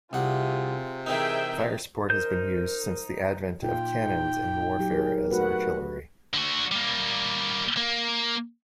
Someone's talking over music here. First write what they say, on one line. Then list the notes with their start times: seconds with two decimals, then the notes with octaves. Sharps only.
Fire support has been used since the advent of cannons in warfare as artillery.
0.13 C2 C3 F4 G#4 F#5
1.06 E3 C4 D#4 G#4 A#4 E5 G5
2.10 D#4 A#4 C5 G6
3.62 A#2 D#4 F4 G5
4.79 F#3 G4
4.92 G#4 A#4
5.31 A3 F#4 B4 F#5
6.34 D3 F#4
6.71 G3 A#3
7.77 A#3